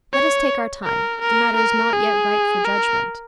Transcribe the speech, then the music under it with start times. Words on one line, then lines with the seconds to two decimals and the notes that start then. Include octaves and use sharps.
Let us take our time, the matter is not yet ripe for judgment.
0.13 C#5
0.84 A#4
1.21 A#4
1.56 A#4
1.93 G#4
2.64 A#4